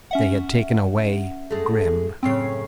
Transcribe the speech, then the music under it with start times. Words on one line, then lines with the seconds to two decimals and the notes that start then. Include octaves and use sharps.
They had taken away Grimm.
0.11 C#4 E5 F#5
1.50 G#3 A3
2.23 F#2 A2 C#3 C4 C7